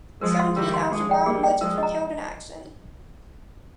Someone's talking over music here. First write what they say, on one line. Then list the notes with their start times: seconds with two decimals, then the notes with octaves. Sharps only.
Seventeen Al-Shabaab militants were killed in action.
0.21 F3 G#3 A#4
0.39 F5 C6
0.56 D#3 G3 A#4
0.74 F5 C6
0.91 F3 G#3 G#4
1.09 D5 G5
1.25 G3 A#3 G#4
1.43 D5 G5
1.60 F3 G#3 A#4
1.78 D#5 A#5